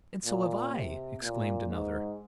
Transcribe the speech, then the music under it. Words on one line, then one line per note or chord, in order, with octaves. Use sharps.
"And so have I," exclaimed another.
A#2
C3
A#2
G#2